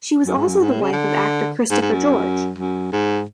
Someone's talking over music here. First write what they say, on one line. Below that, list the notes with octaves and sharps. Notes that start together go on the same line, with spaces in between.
She was also the wife of actor Christopher George.
F#2
G#2
F#2
G#2
A2
C#3
D3
G#2
G#2
F#2
F#2
G#2